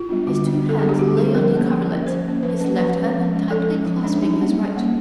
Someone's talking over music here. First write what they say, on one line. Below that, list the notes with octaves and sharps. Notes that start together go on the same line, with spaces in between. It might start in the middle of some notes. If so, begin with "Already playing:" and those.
His two hands lay on the coverlet, his left hand tightly clasping his right.
Already playing: F4
G3 B3 D4
D3 F#4
G3 B3 D4
D3
A4
G3 B3 D4 G#4
G4
D3 F#4
G3 B3 D4 G#4
F3 A#4
A#3 C#4
F3
A#3 C#4
F3 C5
A#3 C#4
F3 B4
A#3 C#4
F3 B4
G#3 C#4
F3
G#3 C#4
F3 A4
G#3 C#4
F3
G#3 C#4 D4
G3 D#4
A#3 C#4
G3
A#3 C#4